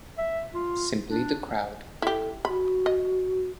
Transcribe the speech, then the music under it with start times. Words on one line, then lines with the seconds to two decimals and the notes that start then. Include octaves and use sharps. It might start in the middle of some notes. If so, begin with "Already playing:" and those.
Simply the crowd.
0.18 E5
0.54 F4
1.08 D4
2.02 E4 G4 A4
2.45 F#4 B5
2.86 D#5